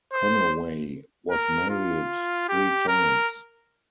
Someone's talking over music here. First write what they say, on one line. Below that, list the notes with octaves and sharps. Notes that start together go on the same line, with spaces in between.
Conaway was married three times.
C5
A#4
F4
G4
A#4